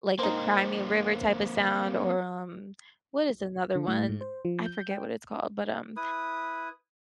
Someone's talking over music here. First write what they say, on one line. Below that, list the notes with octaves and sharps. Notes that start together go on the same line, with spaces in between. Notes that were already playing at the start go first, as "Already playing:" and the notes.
like the Cry Me a River type of sound or, um, what is another one? I forget what it's called, but, um
A#3 C4 D#4 C5
D3
A2
G#2
C5
F3
G6
G5
E4 B4 D#6